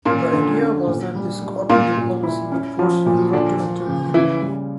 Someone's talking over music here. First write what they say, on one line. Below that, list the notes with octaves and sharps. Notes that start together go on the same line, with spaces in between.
The idea was that this cotton diplomacy would force Europe to intervene.
A#2 A#3 C#4
D3
C#4
A#2
G3
G3
A#2 A#3 C#4
A#2
E4
C#4
F3
A#2
D3 F3 D4
F3
C#3
E3 C#4 E4
G3